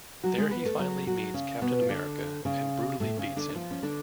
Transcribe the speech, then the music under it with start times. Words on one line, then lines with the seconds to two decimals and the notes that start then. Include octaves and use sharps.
There he finally meets Captain America and brutally beats him.
0.23 F#3 F#4
0.38 G#3 G#4
0.51 B3 B4
0.65 A3 A4
0.79 F#3 F#4
1.07 F#3 F#4
1.34 C#3 C#4
1.61 B2 B3
1.82 F4
1.89 D3 D4
2.45 C#3 C#4
3.00 A2 A3
3.18 C#3 C#4
3.36 D3 D4
3.49 D4
3.55 F3 F4
3.71 C#4
3.83 D3 D4